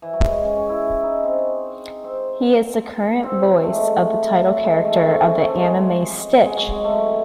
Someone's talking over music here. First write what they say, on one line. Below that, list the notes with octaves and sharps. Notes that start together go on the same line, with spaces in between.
He is the current voice of the title character of the anime Stitch!
E3
F#3
G#3
C#4
C#4
E4
D#4
C4
C4
C4
A3
G#3
A3
A3
G#3
A3
A3
C4
C#4
C4
A3
G#3
G#3
G#3
F#3
G#3
A3
F#3
E3